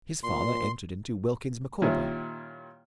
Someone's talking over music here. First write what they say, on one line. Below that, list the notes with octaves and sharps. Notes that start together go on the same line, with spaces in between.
His father entered into Wilkins Micawber.
A#2 C6
A#2 D#3 G3 C#4 E4